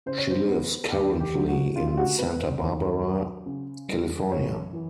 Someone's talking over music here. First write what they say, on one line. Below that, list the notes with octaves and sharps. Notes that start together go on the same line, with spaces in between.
She lives currently in Santa Barbara, California.
C#3 C5
C#5
C5
B3
D#2 G4
G4
F#3
F#4
C#3 F4
F4
F#4
B3 B4
C5
D#2
F#3
C#3
G3
F#2 C#5
E3